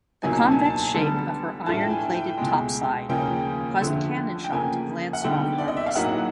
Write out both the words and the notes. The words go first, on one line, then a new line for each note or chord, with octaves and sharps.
The convex shape of her iron-plated topside caused cannon shot to glance off harmlessly.
C#2 B2 F#3 A#3 D#4 G#5
A5
G#5
A5
G#5
D3 G3 B3 A5
A2 E3 A3 D4 F4 A5
G5
G#5
G5
C#2 B2 G#3
D#2 C#3 F3 A#3 C#4 G5
F2 D3 F3 A3
G5
F2 C#3 F3 A#3 G#5
F#5
D3 G3 B3 D#4 G5
D5
D#5
E5
F5
A2 F#3 A#3 D#4 F#5